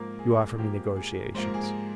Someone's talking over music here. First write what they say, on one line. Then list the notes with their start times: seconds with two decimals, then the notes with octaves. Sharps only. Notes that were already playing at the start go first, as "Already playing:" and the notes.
You offer me negotiations!
Already playing: G#2 F3 A#3 A#4
0.19 G#4
0.57 G#2 F3 A#3 G4
0.96 G#4
1.35 G#2 F3 A#3 C5
1.45 A#4
1.54 G#4
1.63 A#4